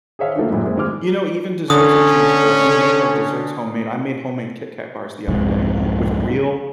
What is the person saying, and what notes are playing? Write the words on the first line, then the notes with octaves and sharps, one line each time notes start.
You know, even desserts have changed for us, we make our desserts homemade, I made homemade KitKat bars the other day with real
G#4 C5 C#5 E5 F5
D3 D#3 F3 A3 A#3
F#2 A#2 G3 G#3
G#3 A#3 C4
G#1 D#3 G#3 G#4 D6 F6
D3 C#4 A4 D#6
C2 F2 G#2